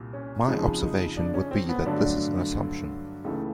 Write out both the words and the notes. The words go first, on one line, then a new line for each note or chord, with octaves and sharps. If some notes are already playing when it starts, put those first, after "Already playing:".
My observation would be that this is an assumption.
Already playing: C2 A#2
C#4
F2 C#3 F3 G#3 D#4
D#4
D4
C#4
C4
B3
G2 D3 F#3 A3 D4
C#2 C#3 E3 A3 D#4